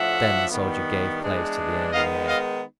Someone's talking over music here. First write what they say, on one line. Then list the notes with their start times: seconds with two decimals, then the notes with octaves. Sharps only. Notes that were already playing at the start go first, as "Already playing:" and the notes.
Then the soldier gave place to the engineer.
Already playing: A2 F3 A3 D4 E5 F#5
0.52 G2 D#3 G3 B3
1.22 E3 G#3 B3 D4
1.92 D#3 G#3 B3 D#4 D#5 F5
2.28 D#5 F5